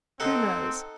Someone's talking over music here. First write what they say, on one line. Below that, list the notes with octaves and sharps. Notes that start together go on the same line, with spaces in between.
Who knows?
C4 D#4 A4 F#5